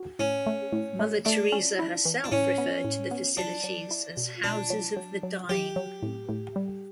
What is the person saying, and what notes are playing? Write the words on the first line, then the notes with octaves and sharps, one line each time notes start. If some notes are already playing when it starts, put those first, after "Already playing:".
Mother Teresa herself referred to the facilities as "Houses of the Dying".
Already playing: F#4
A2 C#4
A3
A2
A3
A3 D4
C#4
E4
E3
D4
A2 C#4
B3
A2
B3
F#3 D4
F#3
E4
B2
B2 D4
F#3
F#3
F#3
F#3 G4
F#3
A2
A2
G3